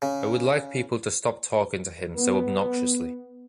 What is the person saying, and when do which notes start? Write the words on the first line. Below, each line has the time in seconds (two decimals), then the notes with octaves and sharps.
I would like people to stop talking to him so obnoxiously.
0.02 C#3
2.16 B3